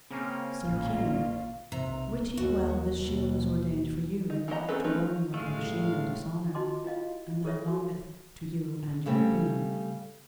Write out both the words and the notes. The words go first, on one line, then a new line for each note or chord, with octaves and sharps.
Sir King, wit ye well this shield was ordained for you, to warn you of your shame and dishonour, and that longeth to you and your queen.
C#3 A#3 C4 C#4
A1 A#2 F4 F5
B1 C3 A#5
D#2 F#4
D#2 B2
D#4
E3 G#3 B3 D#5 A#5
C4 C#4 G#4 A4 B4
A3 C4 C#4 D#4 B4
G1 A2 G#3 A3 F5
F4 F#4 D#5 A5 C6 D6
E4 F4 D#5 F5
G#4 A4 C#5 E5
F#4
C#3 G3 A3 C4